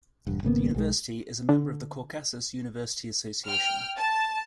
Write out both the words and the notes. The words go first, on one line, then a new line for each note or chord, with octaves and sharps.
The university is a member of the Caucasus University Association.
E1 G2
G#1 C#3 A#3 B3
B1 G3 G#3
D3
G5 F6
A5